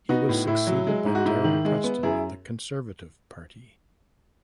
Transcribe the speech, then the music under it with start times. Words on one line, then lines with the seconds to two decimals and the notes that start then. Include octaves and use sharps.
He was succeeded by Darryl Preston of the Conservative Party.
0.09 B3 D#4 F#4
0.29 A2
0.47 A2 E4
0.67 F#3
0.87 G#3
1.06 G#2
1.15 F#4
1.26 G#2 E4
1.44 D#3
1.65 G#3
1.84 B3
2.03 F#2 E4 G#4